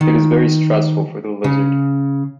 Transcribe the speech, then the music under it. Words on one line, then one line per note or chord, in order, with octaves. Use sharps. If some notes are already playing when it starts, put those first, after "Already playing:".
It is very stressful for the lizard.
D#3
C#3